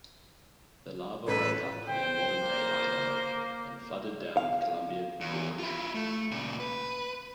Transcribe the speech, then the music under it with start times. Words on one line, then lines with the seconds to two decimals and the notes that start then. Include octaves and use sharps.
The lava welled up near modern-day Idaho, and flooded down the Columbia Gorge.
1.28 A1 A4 B4
1.88 C5 G5
2.40 A#3
4.37 F5
5.20 E2
5.59 E4 F4
5.95 A3
6.31 A#2 C#3
6.60 B4